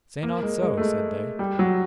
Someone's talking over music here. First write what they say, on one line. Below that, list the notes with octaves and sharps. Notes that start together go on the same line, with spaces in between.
Say not so, said they.
A#3
G#3
G#3
A3
G#3
G3
F#3